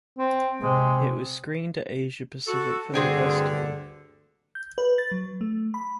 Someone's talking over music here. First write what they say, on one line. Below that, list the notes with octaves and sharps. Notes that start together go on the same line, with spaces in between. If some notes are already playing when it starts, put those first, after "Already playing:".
It was screened at Asia Pacific Film Festival.
C4
C3 G#3
F#4 A4
D2 G2 D3 C4 G#4 G5
G6
B4
A6
F#3
A3
B5